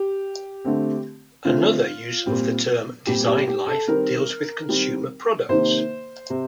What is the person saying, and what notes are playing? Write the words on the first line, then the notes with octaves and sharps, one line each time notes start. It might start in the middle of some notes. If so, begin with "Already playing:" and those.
Another use of the term design-life deals with consumer products.
Already playing: G4
D3 A3 C4
D3 A3 C4 F4
A#2 G3 C4
A#2 G3 C4 G4
G4
G4
A4
D#3 G3 C4 A#4
D#3 G3 C4
C3 D#3 A#3 C5
C3